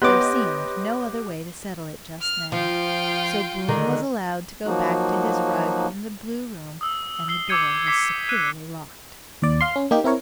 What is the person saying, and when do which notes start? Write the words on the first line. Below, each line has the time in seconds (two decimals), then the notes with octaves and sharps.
There seemed no other way to settle it just then, so Bruin was allowed to go back to his rug in the blue room, and the door was securely locked.
0.02 B3 G4 B4 C#5 D#5 C6 D6 F#6
2.21 F6
2.52 F3 F4 G5
3.68 D3 D#3 G#3
4.65 F3 F#3 A#3 D#4 F#4
6.81 D#6 E6
7.28 E6 C7 G7
7.49 D6 E6 G6 G#6 C#7 D#7
7.87 D6 B6 C7
8.29 F#6 G#6 D#7
9.42 D#2 D5
9.61 F5 C6
9.76 C#4
9.91 A#3 D#4 G4
10.04 C4 E4 A#4 C#5